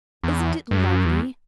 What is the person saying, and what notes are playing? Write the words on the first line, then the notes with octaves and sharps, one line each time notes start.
Isn't it lovely?
E2
G2
F#2
E2